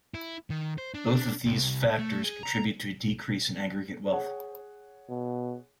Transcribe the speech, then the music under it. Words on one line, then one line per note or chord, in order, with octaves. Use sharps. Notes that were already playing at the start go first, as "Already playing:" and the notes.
Both of these factors contribute to a decrease in aggregate wealth.
E4
D#3
C5
D4
C2
A3
G#4
A#5
G#4 C#5 F#5
B2